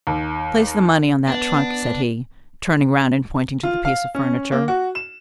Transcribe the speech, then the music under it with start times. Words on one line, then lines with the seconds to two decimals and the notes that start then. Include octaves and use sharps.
"Place the money on that trunk," said he, turning round and pointing to the piece of furniture.
0.07 D#2
1.28 B3 D4
3.63 F4
3.85 F5
4.15 C#4
4.52 A#3
4.68 F#4
4.95 E7